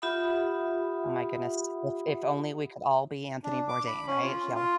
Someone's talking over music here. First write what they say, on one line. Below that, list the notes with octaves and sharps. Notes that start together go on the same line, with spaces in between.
Oh my goodness, if if only we could all be Anthony Bourdain, right? He'll
F4 G4 E5 F#5 B5 D#6
D4
D6
B5
C#4
F4
F4